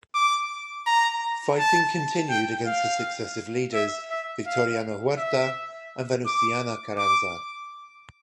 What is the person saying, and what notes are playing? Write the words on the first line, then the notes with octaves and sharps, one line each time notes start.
Fighting continued against the successive leaders Victoriano Huerta and Venustiano Carranza.
D6
A#5
A5
G5
F5
E5
E5
F5
E5
D6
D6